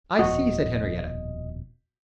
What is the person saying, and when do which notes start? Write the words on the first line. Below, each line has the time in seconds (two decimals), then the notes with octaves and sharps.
"I see," said Henriette.
0.19 D#1 F2 B2 F#4 D#5